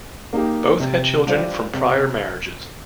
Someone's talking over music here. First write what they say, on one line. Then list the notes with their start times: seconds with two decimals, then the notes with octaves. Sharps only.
Both had children from prior marriages.
0.33 A#3 D#4 G4
0.80 C3
1.26 G3 D4 F4 C5
1.74 C3